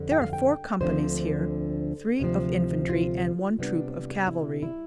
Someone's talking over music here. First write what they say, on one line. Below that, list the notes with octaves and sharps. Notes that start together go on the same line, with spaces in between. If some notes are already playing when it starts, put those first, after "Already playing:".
There are four companies here--three of infantry and one troop of cavalry.
Already playing: F2 D3 G3
G5
F5
G5
D2 D3 F3 C4 C5
D2 C3 F3
F4
C3 G3 B3 D4
E4
E4